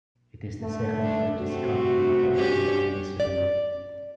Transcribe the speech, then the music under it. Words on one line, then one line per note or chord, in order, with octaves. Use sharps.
It is the second-largest county by area in Missouri.
D3 A3
D4
C3 A3 C4 F#4
C#4 D4 G4
D5